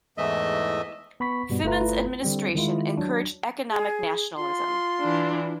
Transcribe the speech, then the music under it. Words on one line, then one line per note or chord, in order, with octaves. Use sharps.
Phibun's administration encouraged economic nationalism.
E2 G#2 E3 A3 D#5 E5
B3 B5 C#6 B6
G2 B2 G3 B3
G1 A3 E4 F4 B4 A#5
D3 G3 C4
D#3 G#3 E4 F4
F#3 D4
G#4
F4 C6
E3 D4